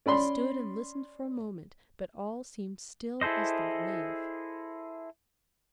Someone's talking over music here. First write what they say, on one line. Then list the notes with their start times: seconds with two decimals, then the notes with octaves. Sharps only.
I stood and listened for a moment, but all seemed still as the grave.
0.06 C#4 D5 B5 C6
3.21 E4 G#4 A4 C5 D#5